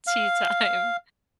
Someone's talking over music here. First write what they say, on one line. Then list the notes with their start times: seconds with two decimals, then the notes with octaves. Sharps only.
tea time.
0.07 F5